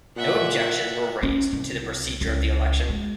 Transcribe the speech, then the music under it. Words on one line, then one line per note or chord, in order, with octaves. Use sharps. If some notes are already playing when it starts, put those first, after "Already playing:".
No objections were raised to the procedure of the election.
A#2 E5 F#5
C#4
C2
C#2
G#3